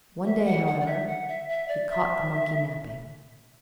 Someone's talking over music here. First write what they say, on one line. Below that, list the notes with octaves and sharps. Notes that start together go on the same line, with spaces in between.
One day, however, he caught the monkey napping.
E5
F#5
F#5
D5
E5
F#5
E5
E5
D5
E5